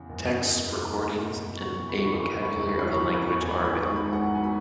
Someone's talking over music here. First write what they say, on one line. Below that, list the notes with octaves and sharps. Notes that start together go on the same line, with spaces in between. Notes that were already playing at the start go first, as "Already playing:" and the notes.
Texts, recordings, and a vocabulary of the language are available.
Already playing: E2 C#3
F#1
E2
E2
C#3
F#1 B5
B2
F#1
F#1 C#6
E2 C#6
B5
F#1 C#6
B5
C#6
C#3 B5
C#6
E1 B5
C#6
B5
E3 C#6
B5
E2 C#6
B5
E2 C#6
B5
C#6
E2 B5
G#5
G#1 B5
B5
G#1
C#6
G#2
B5
G#1 F#5
F#3 G#5
B5